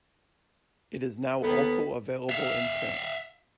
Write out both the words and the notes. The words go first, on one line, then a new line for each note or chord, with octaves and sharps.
It is now also available in print.
D#2 B3 A4
E5 F5